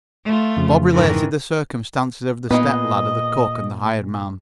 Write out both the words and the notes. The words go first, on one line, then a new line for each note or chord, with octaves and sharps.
Bob related the circumstances of the step-ladder, the cook and the hired man.
A3 F4
F2 C#3 F3
G#2 D#3 E3
A#2 G#3 B3 D#4 B4 D#5